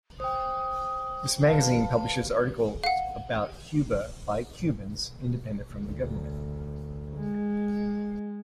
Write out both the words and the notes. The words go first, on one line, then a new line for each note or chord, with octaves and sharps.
This magazine publishes articles about Cuba by Cubans independent from the government.
C5 G5 D#6
B4 F5 A5
F5 F#5
D2
G#3